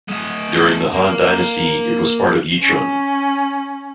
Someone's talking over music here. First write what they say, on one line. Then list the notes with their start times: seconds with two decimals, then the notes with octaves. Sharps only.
During the Han dynasty, it was part of Yichun.
0.08 A3 D#5
0.92 A#3
2.61 C#4